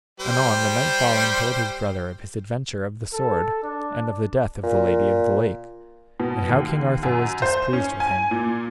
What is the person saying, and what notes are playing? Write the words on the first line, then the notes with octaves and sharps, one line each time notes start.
Anon the knight Balin told his brother of his adventure of the sword, and of the death of the Lady of the Lake, and how King Arthur was displeased with him.
G3 C5 G5
A4
D4
A#2
B2
D#2
F#2
C5
C#4
G#5
A#2